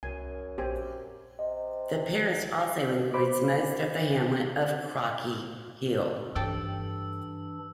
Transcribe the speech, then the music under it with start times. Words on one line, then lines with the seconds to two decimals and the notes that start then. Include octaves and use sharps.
The parish also includes most of the hamlet of Crockey Hill.
0.03 C2 F#2 G#5
0.58 A#1 G4 C5 G#5
1.39 C3 D#5
3.14 C5 B5 D6
6.35 G2 E3 D4 G4 A4 G5 E6